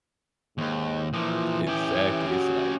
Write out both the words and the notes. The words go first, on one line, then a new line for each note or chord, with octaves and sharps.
Exactly, it's like,
D#2 G#2
A#2 E3 F3
C#4 G4
F#4